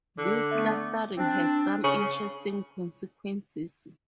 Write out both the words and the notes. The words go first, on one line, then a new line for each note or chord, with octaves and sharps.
This clustering has some interesting consequences.
D3
A3 B3
C4 D4
C#3